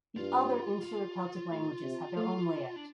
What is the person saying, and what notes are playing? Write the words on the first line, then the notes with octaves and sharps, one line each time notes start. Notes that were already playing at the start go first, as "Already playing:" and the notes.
The other Insular Celtic languages have their own layout.
G2 F4
F4
A2
C3
A3 F4
D4